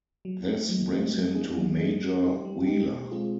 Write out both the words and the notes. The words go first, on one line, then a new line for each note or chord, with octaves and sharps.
This brings him to Major Wheeler.
F#3
A3 C4 D#4
F#3
A3 C4 D#4
F#3
A#3 D#4 G#4
F#3
A#3 D#4 G#4
G3
B3 D#4 G4
G3
B3 D#4 G4
B2
G#3 C4 F4 G#4